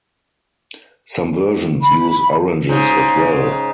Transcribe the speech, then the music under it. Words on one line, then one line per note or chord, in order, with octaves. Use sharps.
Some versions use oranges as well.
B5
G#2 C#3